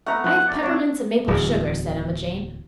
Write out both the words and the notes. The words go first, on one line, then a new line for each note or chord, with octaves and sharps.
"I have peppermints and maple sugar," said Emma Jane.
A3 B3 E5 F#5 A#5
F3 F#5
D5
F2 D4 C#5 D5
D1 E2